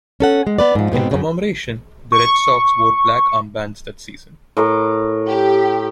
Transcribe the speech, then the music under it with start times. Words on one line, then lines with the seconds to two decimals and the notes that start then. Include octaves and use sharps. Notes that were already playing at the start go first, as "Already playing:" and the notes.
In commemoration, the Red Sox wore black armbands that season.
0.20 C#4 A4 F#5
0.47 G#3
0.58 B3 B4 D5
0.75 G#2 F3
0.92 G#2 B2 B3 C4
1.11 F#2 C#3
2.12 C#6
4.57 A2 A#4 D6
5.28 G4